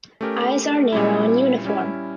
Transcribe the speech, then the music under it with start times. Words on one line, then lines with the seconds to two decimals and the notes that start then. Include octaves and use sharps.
Eyes are narrow and uniform.
0.21 A3 C#4 G4 A#4
0.92 A#2 G3 C#4 E4
1.65 G3 C#4 E4